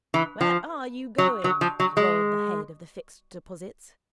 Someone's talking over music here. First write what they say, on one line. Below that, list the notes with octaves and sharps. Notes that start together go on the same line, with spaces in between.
'Where are you going,' roared the head of the Fixed Deposits.
E3
F3
F#3
F#3
F3
F#3
G#3